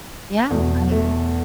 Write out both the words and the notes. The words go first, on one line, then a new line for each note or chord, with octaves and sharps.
Yeah. I agree.
E2 B2 A3
A3